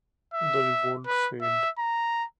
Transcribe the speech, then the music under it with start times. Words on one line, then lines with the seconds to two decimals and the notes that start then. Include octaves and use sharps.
The revolt failed.
0.34 E5
1.06 B4
1.41 E5
1.78 A#5